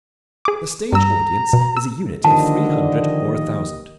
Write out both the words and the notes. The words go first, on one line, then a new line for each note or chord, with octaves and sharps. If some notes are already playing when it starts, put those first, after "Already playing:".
The stage audience is a unit of three hundred or a thousand.
G#4 D6
G2 A#5 E6
B2
E6
D3 D#3 F3 A#3 G4 D#5 A5